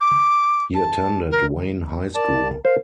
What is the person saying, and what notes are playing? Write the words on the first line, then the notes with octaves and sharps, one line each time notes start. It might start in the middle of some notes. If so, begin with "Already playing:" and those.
He attended Wayne High School.
D6
A5
A#4
A#4 D5 A5
A#4 C5 F5